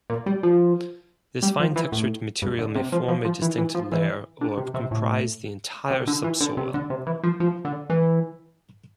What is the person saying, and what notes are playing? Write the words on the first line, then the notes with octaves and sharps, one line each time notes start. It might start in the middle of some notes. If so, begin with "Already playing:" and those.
This fine-textured material may form a distinct layer or comprise the entire subsoil.
A#2
G3
F3
G3
F3
E3
A2
G2
D3
C3
F3
F3
F3
E3
E3
F3
E3
D3
C3
C3
A2
C3
D3
E3
D3
C3
D3
C3
E3
F3
F3
D3
E3